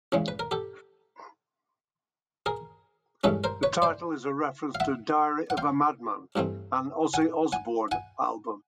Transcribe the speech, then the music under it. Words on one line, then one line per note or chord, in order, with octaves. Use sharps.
The title is a reference to "Diary of a Madman", an Ozzy Osbourne album.
E2 C#3 E3 G#3
B4
A#4
G4 A4
G#4 A#4
G2 E3 G#3 C#4 A4 B4
A#4 C5
B4 C#5
C5 D5
F5
E5 F#5
F#5
F5 G5
G2 E3 A3 C4
F#5 G#5
F#5 G#5
F#5 G#5